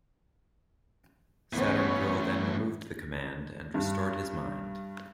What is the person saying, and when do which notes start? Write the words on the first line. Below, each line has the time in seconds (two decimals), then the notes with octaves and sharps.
Saturn Girl then removed the command and restored his mind.
1.53 A2 E3 B3 C#4
3.74 G2